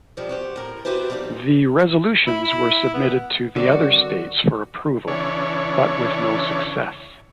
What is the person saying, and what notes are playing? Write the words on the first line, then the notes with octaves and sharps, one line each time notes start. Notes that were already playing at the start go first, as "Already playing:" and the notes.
The resolutions were submitted to the other states for approval, but with no success.
D#2 A#2 D#3 F3 G3
F#4 G4 C5
A2 A#4
B3 E4 F#4 G4 B4 C5
F3 G3 A#3 D4 D#4
E4
E4
B3
D3 D#3 G3 C4 F#4 D5
C#3 E3 D4 C#5